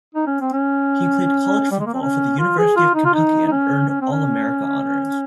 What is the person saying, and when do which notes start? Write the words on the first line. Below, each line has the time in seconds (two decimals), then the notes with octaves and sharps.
He played college football for the University of Kentucky and earned All-America honors.
0.14 D#4
0.26 C#4
0.41 C4
0.53 C#4
1.71 G3
1.80 G#3
1.86 A#3
1.93 C4
2.02 C#4
2.39 F4
2.58 G#4
2.76 F4
2.95 D#4
3.05 F4
3.14 D#4
3.47 D#4
3.51 C#4
3.89 C#4
4.01 C4
4.12 C#4